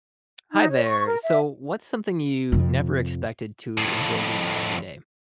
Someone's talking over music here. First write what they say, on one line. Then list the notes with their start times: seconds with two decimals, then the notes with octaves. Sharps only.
Hi there, so, what's something you never expected to enjoy doing every day?
0.51 D#4
0.70 C#5
0.85 C#6
1.06 A#4
1.24 E5
2.52 F2 C3
3.78 F2 A2